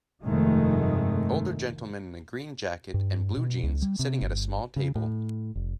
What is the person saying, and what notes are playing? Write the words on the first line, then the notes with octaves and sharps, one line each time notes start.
Older gentlemen in a green jacket and blue jeans sitting at a small table.
F1 G2 D#3 G#3 A3
G2
B2
C#2
G3
C3
G1
C#3
A2
F1